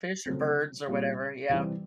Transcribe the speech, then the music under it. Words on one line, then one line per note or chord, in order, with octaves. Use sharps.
Fish or birds or whatever, yeah.
C#3 F#3 A3 C4
A#2 G3 C4 F4
C3 E3 G3 C4